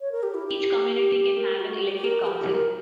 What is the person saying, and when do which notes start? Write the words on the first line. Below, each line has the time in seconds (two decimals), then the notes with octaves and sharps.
Each community can have an elected council.
0.01 C#5
0.12 A#4
0.23 G4
0.34 E4
0.46 G4
1.37 A#4
1.59 F#4
1.82 G4
1.96 G4
2.04 A#4
2.27 G4
2.49 A#4